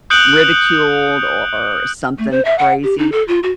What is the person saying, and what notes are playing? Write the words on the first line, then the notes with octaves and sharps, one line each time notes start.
ridiculed or something crazy,
D#6 F#6 G6 C#7 D7 F#7
A3
C5
E5
F#5
G4
D#4
A4
F4
F#4